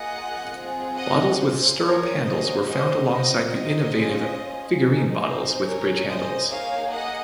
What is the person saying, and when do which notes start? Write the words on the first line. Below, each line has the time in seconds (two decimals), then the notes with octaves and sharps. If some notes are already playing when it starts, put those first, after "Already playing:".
Bottles with stirrup handles were found alongside the innovative figurine bottles with bridge handles.
Already playing: A#3 F4 G#4 D#5 F#5
0.53 C4 F4 G#4
0.96 D#5 F#5
1.39 A#3 C#4 F4 C5
1.81 A#4 C#5
2.24 A#3 C#4 F#4 C5 D#5
2.67 C5 D#5
3.09 C4 D#4 F#4 C5 D#5
3.52 C5 D#5
3.95 C#4 F4 G#4
4.79 C4 D#4 G#4 C5
5.22 C5
5.65 C#4 G#4 A#4 C#5
6.07 C5 D#5
6.50 A#3 D#4 G#4 C#5 F5
6.93 D#5 F#5